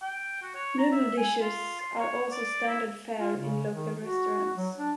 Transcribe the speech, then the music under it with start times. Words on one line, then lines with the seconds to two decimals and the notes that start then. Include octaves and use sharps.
Noodle dishes are also standard fare in local restaurants.
0.02 G5
0.42 F#4
0.55 C#5
0.78 A#5
0.92 E5
1.17 G#5
1.41 F4
1.80 C6
1.99 C#5
2.31 D5
2.68 E4
3.20 F4
3.37 C#3
3.69 D#3
4.00 F#4
4.57 F#3
4.78 D4